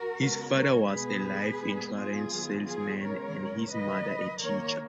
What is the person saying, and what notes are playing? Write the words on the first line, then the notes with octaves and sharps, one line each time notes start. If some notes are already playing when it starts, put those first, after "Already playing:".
His father was a life insurance salesman and his mother a teacher.
Already playing: F#4 A#4
C#3 G#3 B3
A#4 C#5
B2 G#3 B3 G#4 B4
A#2 G#3 B3
F4 G#4
D#3 F#3 B3
F4 G#4
C#3 G#3 B3 A#4 C#5
D#3 F#3 A#3 B4 D#5
D#3 A#3 A#4 C#5